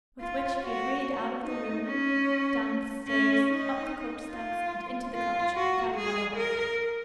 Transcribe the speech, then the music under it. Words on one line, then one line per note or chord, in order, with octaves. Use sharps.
With which he hurried out of the room, down the stairs, up the coachsteps, and into the coach, without another word.
F4
F#4
D#4
C#4
C#4
D#4
F4
F4
F#4
G#4
A#4